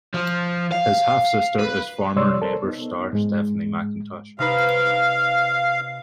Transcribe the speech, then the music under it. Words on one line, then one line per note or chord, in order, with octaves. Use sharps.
His half-sister is former "Neighbours" star Stephanie McIntosh.
F3
F5
B4
C3 G3 C#5 D5 C6 E6
A4 A#4 C5
B3 D#4
G#2 G#3
C3 D#4 B4 F5